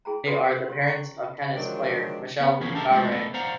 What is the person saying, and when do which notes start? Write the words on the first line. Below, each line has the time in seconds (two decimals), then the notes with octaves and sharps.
They are the parents of tennis player Michelle Bowrey.
0.05 E4 G#4 G5 A#5
0.26 A4 B4 D5 C6
0.54 C#4 A#4 F5
0.70 G4 C#5
0.87 C#4 A#5 C#6
1.55 D3 D#3 F3 F#3 G#3 D4
2.40 B3
2.60 E3 F3 A#3 B3 C#4 G#4
2.74 D4 G4 A4 A#4 D#5 E5
2.91 G#3 A3 F4 C5 D5
3.10 A3 B3 A4 D#5
3.34 C5 D5 F5 F#5 A#5